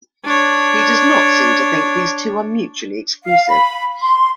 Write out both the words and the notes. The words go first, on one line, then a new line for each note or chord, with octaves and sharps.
He does not seem to think these two are mutually exclusive.
D4 C#5
F5
B5
C6